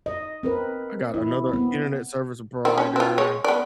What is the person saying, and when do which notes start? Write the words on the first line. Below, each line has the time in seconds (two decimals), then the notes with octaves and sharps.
I got another internet service provider
0.06 D#5
0.43 C4 A#4 B4
1.14 E4
1.49 B3 C4
2.65 D#3 C4
2.78 C#4
2.96 C4 F4
3.18 G#3 C#5
3.44 B3 D5